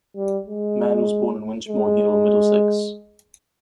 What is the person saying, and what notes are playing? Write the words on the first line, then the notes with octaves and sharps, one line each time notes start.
Mann was born in Winchmore Hill, Middlesex.
G3
G#3
G#3